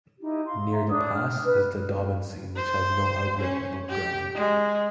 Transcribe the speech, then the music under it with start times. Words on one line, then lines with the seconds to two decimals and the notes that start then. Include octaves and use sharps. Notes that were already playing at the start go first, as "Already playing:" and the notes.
Near the pass is the Daubensee, which has no outlet above ground.
0.20 D#4 E4 G4
0.46 F5 C6
0.72 E5 A#5
0.88 D4 C#5 D#6
1.14 F6
1.43 B4
2.56 C5
3.38 C#4
3.89 G4
4.35 G#3